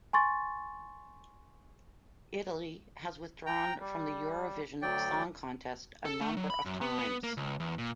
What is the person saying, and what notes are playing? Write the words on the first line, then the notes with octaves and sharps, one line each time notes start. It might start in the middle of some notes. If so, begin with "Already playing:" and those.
Italy has withdrawn from the Eurovision Song Contest a number of times.
G#5 C6 C#6 A6
G5 A#5
G3
D2 F#3 D5 G5
A4
A3
F#3
B5
F#2
B3
B3
A#3
C#2
E2
A#2